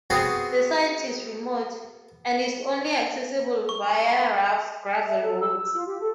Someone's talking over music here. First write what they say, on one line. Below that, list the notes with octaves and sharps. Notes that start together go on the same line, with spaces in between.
The site is remote, and is only accessible via rough, gravel roads.
B3 C4 F#4 G#4 B4
C#6
E5
A4
E6
E6
F4
G4
A4